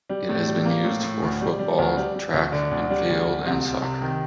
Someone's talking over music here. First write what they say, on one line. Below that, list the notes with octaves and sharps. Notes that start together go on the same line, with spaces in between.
It has been used for football, track and field, and soccer.
G3
A2
G3
A#3
A2
A2
D2
G3
G3
D2
G3
G3
D2
D3
D2
G3
D2
D2
C2
C2
C3
D#3